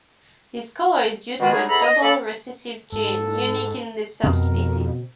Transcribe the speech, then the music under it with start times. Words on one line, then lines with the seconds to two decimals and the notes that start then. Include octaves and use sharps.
This colour is due to a double recessive gene unique in the subspecies.
1.40 B2 D#3 E3 G#3 F4 F#4
1.52 F#3 G3 D4 D#4 G#4
1.68 E2 G#4 A4 A#5 B5
1.81 D#5
2.01 A#3 A4 B5
2.92 G#2 A4
4.23 F2 B2 C4 A#4